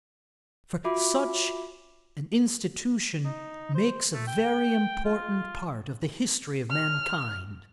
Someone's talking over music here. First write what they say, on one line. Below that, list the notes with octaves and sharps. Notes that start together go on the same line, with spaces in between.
For such an institution makes a very important part of the history of mankind.
F4 F#4 E5 B5 D6
D#4
C5
A3
G5
F4
F6